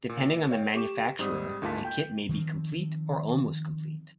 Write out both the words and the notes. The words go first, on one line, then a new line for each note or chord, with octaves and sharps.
Depending on the manufacturer a kit may be complete or almost complete.
A#2
C#5 F5 G5
G4 C#6 D6 E7
G#2 G3 C4 D#6
D2 G#2 A#3 F4 A5 B6
G5 G6
D#3 F3 A#3 C4